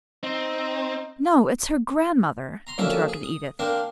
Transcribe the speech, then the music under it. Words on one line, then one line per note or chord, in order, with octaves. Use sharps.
"No, it's her grandmother," interrupted Edith.
C4 D#4
A#5 C6
F2 D3 F#3 A#3 C#4 E4
G#4
D#6
A#3 C4 D4 A#4